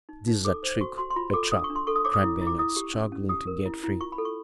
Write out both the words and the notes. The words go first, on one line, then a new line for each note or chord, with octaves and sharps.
"This is a trick--a trap!" cried Bernard, struggling to get free.
D#4
D#4
A4 D6
C5
F#4 C#6
F#4 C6
C6
F4 B5
A4 D6
D4 D#6
C#6
D4
C6
A4 C#6
D#6
C#5 D6
D#6
E4
E4
D6
E4 D#6
G4
C#4
C#4
G4 D#6
A#4
E4
E4
F4 C#6
B5
A4
C#6